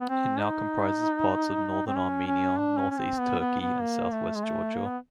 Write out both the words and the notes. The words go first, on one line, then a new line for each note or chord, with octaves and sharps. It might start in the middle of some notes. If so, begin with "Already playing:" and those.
It now comprises parts of northern Armenia, northeast Turkey, and southwest Georgia.
B3
C4
D#4
C4
C#4
C#4
D4
C#4
C#4
C4
B3
B3
B3
A#3
A3
G#3
A3
A#3
B3